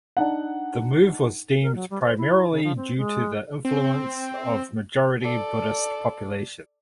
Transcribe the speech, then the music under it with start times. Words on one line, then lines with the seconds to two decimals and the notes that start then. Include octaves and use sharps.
The move was deemed primarily due to the influence of majority Buddhist population.
0.17 D4 D#4 F#5
1.62 A#4
1.75 F#3
1.90 G3
2.02 C5
2.18 E4
2.52 C#3
2.64 F3
2.76 C4
2.97 G#3
3.65 C4
5.22 A4 D5